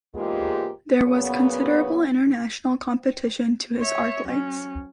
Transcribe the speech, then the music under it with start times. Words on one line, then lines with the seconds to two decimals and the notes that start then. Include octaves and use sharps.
There was considerable international competition to his arc lights.
0.15 E2 G#2 G#3 A#3 F4 G4
1.03 A#2 C#3 F#3 B3
3.81 C#5 E5
4.26 F#3 C#4